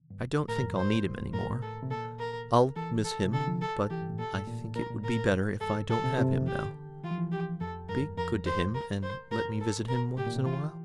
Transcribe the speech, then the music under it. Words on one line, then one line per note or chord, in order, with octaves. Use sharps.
"I don't think I'll need him any more. I'll miss him, but I think it would be better if I don't have him now. Be good to him, and let me visit him once in a while."
G2
A2 A#4
F2
G2 C5
G2
A2 A#4
A4
C3
A#2 A4
A#4
E3 A4
A4
C3
D3 A4
F3
A4
E3 G4
G2
A2
A#2 A4
A2
A#2
A#2 A#4
A#2
A2 A#4
G2 A4
A2 A4
C3
C3
D3 G4
E3 F4
F3
E3
G4
F2 A4
G2 A#4
F2 A#4
C5
A#4
C5
G2 A#4
A4
A#4
A2 G4
A#2
C3
E3 F4